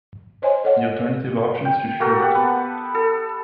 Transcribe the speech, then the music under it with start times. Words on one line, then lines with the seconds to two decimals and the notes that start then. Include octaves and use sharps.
The alternative option is to shoot.
0.42 C5 C#5 D#5 G#5 C6
0.64 A4 C#5 D#5 F#5
1.65 G5
2.00 A#3 F#4 A4
2.20 G4 F#5
2.35 B3
2.95 A4